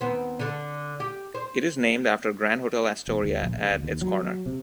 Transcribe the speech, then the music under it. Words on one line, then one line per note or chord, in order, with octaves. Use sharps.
It is named after Grand Hotel Astoria at its corner.
D#2 B3 C4
D3 A4
G4
C5
E1
D2
A#1
C#3
D2
D#2
F#3
F#3
C3